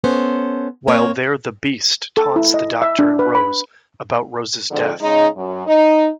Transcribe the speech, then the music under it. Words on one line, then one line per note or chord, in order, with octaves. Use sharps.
While there The Beast taunts the Doctor and Rose about Rose's death.
B3 C#4 A4 C5
A#3 C4 C#5
A4
E4
D#5
E5
D4
B4
B5
F2 G#2 D3
C#3 G#3 D#4
F#2
D#4